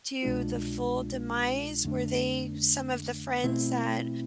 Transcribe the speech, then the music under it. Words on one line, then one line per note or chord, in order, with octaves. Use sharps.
to the full demise? Were they some of the friends that
C2 B2 G#3 D4 F4
F2 D3 A3 D4
B2 A3 C4 E4